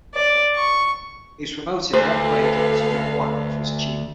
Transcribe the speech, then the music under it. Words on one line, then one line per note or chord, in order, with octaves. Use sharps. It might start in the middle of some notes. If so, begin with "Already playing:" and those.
He was promoted one grade to "junwang" for his achievement.
D5
C#6
D2 A4 B4 C5 F5